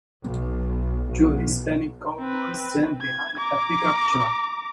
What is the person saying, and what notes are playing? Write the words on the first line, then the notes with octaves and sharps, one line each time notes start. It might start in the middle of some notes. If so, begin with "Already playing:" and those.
Two hispanic cowboys stand behind a pickup truck.
B1
B1
C4 B4
G#6
A#5 D6